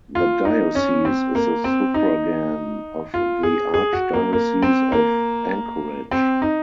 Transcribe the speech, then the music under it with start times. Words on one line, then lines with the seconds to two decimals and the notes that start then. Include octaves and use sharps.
The diocese is a suffragan of the Archdiocese of Anchorage.
0.15 F4
0.45 D#4
0.75 C#4
1.05 C4
1.35 A#3
1.64 C4
1.94 D#4
3.14 F4
3.43 G#4
3.74 G#4
3.93 F#4
4.13 A#3
4.33 A#3
4.62 C4
4.92 A#3
6.11 C4
6.42 D#4